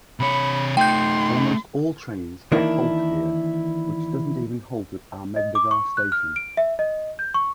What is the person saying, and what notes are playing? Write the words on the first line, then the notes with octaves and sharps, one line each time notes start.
Almost all trains have halt here which doesn't even halt at Ahmednagar station.
C3 C#5 B5
A3 D#4 G5 C6 G6
D#3 E3 A#3 D4 E4
D#5
D6
C#6
F#6
F6
D7
E5
D#5
G6
C#6